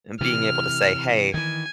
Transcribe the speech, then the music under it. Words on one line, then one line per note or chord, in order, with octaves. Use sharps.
being able to say, "Hey,
C3 E3 F6
D#3 E3 G#5